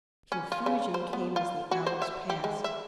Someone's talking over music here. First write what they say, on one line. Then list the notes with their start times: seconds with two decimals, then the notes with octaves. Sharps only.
Confusion came as the hours passed.
0.32 C#4
0.52 F4
0.66 C#3
0.94 C5
1.13 B3
1.36 F4
1.71 F#4
1.87 C5
2.02 E5
2.30 G4
2.44 G#3
2.64 E5